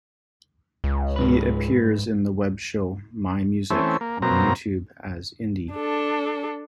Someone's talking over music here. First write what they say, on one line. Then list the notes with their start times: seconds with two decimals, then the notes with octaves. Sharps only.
He appears in the webshow "MyMusic" on YouTube as Indie.
0.84 C#2
1.16 G#2 C3 B4
3.70 E3 A3 C4 C#4
4.01 A#3
4.22 F#2 B2 A#3 C4 A#5
5.74 D4 A4